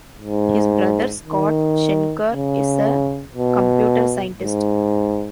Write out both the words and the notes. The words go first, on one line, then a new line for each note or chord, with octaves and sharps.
His brother Scott Shenker is a computer scientist.
G#2
D#3
C#3
B2
G#2